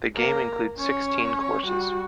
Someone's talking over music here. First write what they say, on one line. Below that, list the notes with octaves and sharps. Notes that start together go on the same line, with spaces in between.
The game includes sixteen courses.
A#3 A#5
C#4 C#5
G3 F#4